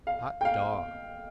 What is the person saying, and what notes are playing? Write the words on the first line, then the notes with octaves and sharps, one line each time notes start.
Hot dog!
F5
G5
F5